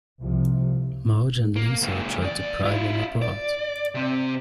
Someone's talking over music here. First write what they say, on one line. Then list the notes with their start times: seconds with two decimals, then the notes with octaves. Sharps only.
Marge and Lisa try to pry them apart.
0.19 C2 C3 F3
1.56 A#3
1.82 C#2 A#2
2.22 E2 D5
2.64 E4 F4
3.22 D5
3.95 C3 C4